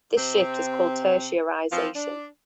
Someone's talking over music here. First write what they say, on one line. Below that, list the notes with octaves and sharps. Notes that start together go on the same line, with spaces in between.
This shift is called tertiarisation.
C3 C4
E3 F3 A3 C4 F4
D4